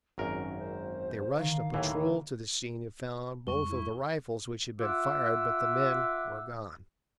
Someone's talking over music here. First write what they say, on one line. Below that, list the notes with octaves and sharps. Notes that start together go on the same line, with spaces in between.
They rushed a patrol to the scene and found both of the rifles which had been fired, but the men were gone.
G#1 F#2 C#4 A#4
C5
D3 D#3 F5
D#2 A2 E3 A#3
F2 G3 G#3 C#6 G7
E4
F4 E5 F#5 D6 E6